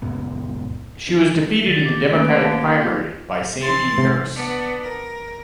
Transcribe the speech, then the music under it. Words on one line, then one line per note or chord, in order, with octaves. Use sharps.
She was defeated in the Democratic primary by Sandy Nurse.
C#2 F#2 A#2 B3
D#3 E3 A6 C#7
G4
D#3 A3 A#3 C#4 B4 D7
A#3 A5
D#4 F4
E3 C6 A6
C3
B3 D4
A#4